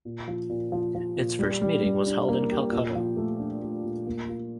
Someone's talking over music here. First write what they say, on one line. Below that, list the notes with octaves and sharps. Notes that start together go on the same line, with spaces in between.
Its first meeting was held in Calcutta.
A#2
F3
A#2
F3
F3
A#2
G3
G3
G3
D4
A#3
G4
A#2
F3
A3
D4
A3
A#2
A#3
F4